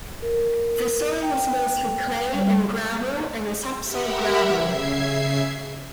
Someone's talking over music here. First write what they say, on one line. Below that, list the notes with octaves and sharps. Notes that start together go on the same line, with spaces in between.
The soil is mostly clay and gravel and the subsoil gravel.
A#4
G5
G3
G4 A#4 E5 F#5 B5
C#3 E5 G#6 C7